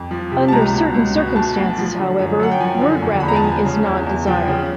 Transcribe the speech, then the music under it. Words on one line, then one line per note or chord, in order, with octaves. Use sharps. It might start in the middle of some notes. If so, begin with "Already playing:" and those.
Under certain circumstances, however, word wrapping is not desired.
Already playing: F2
F3
C3
A5
C#2 A#5
B2
C#2
B2
D2 A5
D2
F3
D3
F#2
F#2 F#5
G5
F3 G#5
D3
E2
E2 B5
A#5
A5
F3 G#5
C#3
E2
E2
F3 G5
C#3